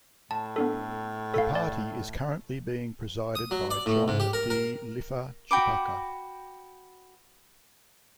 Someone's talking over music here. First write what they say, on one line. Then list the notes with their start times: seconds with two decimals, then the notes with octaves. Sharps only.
The party is currently being presided by John D. Lifa Chipaka.
0.31 A2 A5
0.56 B3 D4 A4
1.34 A4 F5
1.55 D5
3.35 D#6
3.51 F#3
3.71 D5
3.86 A2
4.08 G#2
4.20 G4
4.33 A#4
4.50 A#4
5.51 F#4 G5 B5 D6